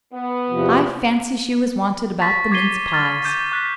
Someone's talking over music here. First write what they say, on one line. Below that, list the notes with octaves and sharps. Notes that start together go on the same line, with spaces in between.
I fancy she was wanted about the mince-pies.
B3
E2 C3 F3
C#6 A6 B6
D6 G#6 B6 C7 D#7 G7
F6 A6
D6 F6 G6 G#6 B6 D#7
C#6 F#6 A6 B6